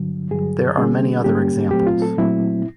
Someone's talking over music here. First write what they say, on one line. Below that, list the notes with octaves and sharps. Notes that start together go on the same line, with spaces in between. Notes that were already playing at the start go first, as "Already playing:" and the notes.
There are many other examples.
Already playing: G2 D3 F#3
G2 D3 F#3 G#4
D3 G3 A#3 C#4 G#4
D3 G3 A#3 C#4 G4
A#2 F#3 A3 C4 G4
F4
A4
A#2 F#3 A3 C4 E4